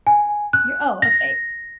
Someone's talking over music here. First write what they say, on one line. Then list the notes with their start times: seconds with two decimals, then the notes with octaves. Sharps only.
you're oh, okay,
0.07 G#5
0.53 F#6
1.02 A#6